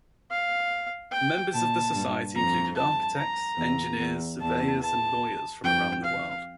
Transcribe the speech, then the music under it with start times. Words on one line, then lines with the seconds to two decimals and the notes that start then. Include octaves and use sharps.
Members of the Society include architects, engineers, surveyors and lawyers from around the world.
0.31 F5
1.12 G5
1.54 A#2 A5
1.95 G2
2.36 F2 A#5
2.77 A5
3.17 A#5
3.58 E2
3.99 E2
4.41 E2 A5
4.82 A5
5.64 F2 G5
6.05 F5